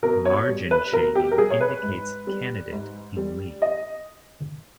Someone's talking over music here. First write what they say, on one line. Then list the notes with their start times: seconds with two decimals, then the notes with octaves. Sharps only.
Margin shading indicates candidate in lead.
0.03 B2 A#4
0.25 C#5
0.47 G3
0.71 B4
0.92 B2 A#4
1.15 G4
1.31 A#4
1.37 G3 G#4
1.50 C#5
1.61 B4
1.83 G#2
2.27 G3
2.72 G#2
3.17 G3
3.62 D#5